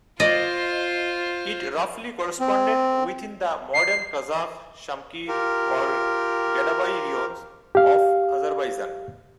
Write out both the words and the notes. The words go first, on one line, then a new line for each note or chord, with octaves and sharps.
It roughly corresponded within the modern Qazakh, Shamkir or Gadabay raions of Azerbaijan.
F4 C5 D5 D#5
C4
C7
F4 G4 A#4
G4 F5